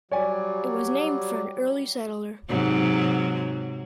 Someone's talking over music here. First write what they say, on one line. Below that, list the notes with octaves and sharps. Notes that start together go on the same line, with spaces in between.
It was named for an early settler.
F#3 G3 C#5 D5 G#5
G#2 C3 F#3